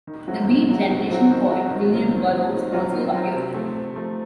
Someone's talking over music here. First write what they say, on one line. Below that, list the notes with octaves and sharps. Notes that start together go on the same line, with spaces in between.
The Beat generation poet William Burroughs also appeared.
D#3
F#3 C4 F#4
D#3
F#3 C4 F#4
D#3
F#3 C4 F#4
D#3
F#3 C4 F#4
D#3
F#3 C4 F4
D#3
F#3 C4 F4
D#3
F#3 C4 F4
D#3
F#3 C4 F4
C3
F3 A3
C3
F3 A3